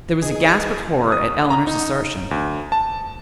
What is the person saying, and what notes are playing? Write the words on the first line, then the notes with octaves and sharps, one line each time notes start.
There was a gasp of horror at Eleanor's assertion.
D#4 G#4
D#6
A#5
D#4
D2
A5